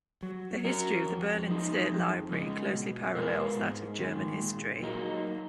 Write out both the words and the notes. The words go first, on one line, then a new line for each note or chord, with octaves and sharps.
The history of the Berlin State Library closely parallels that of German history.
F#3
C#4 F#4 A#4
F2
F3 G#3 D#4
F2
C#3 G#3 C#4
B2
G#3 B3 F4 A#4
G#2
D#3 G#3
A#2
F#3 A#3 D#4